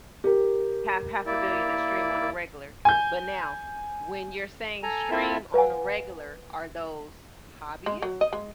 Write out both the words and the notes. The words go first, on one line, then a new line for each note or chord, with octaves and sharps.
half half a billion that stream on a regular. But now, when you're saying stream on a regular, are those hobbyist,
G4 A#4
A#3 E4 D5
G#5 G6
A4 G#5 A#5
C4 E4 F4 A4 E5
B4 F5 F#5 G#5
G#3
F#3
D#5
G#3